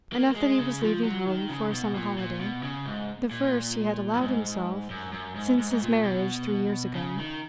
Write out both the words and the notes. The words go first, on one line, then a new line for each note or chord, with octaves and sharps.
Enough that he was leaving home for a summer holiday--the first he had allowed himself since his marriage three years ago.
A#3
A#3
G#3
C#3
F3
F#3
D#3
C#3
B2
A#2
A#2
B2
C#3
G#2
A#2
F#2
G#2
F#2
F#2
G#2
G#2
G#2
A#2
B2
C#3
D#3